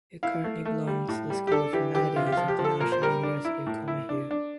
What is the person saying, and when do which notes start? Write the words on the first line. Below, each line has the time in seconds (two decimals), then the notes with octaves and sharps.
It currently belongs to the School of Humanities of the National University of Comahue.
0.23 E4 F5
0.44 A3
0.65 A3
0.87 G3
1.08 A2
1.30 G3
1.47 G4
1.51 D4 A4
1.73 E3 G4
1.95 E3 G4
2.16 C3 F4
2.26 G4
2.32 F3 F4
2.48 G4
2.59 F3
2.64 A4
2.80 A#2 A#4
2.92 C5
3.02 G3 A#4
3.23 D4
3.45 E4
3.66 A2
3.88 E4
4.09 D4
4.31 D4